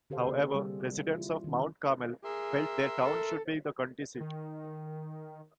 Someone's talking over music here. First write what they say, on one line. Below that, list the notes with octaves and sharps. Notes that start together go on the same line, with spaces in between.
However, residents of Mount Carmel felt their town should be the county seat.
D3 G4 A4 C5 F5
C3 A#3 C4 G#4
G3
E4 F4
D#3 C#4
G#4 A#4 E5 C6
A4
D#3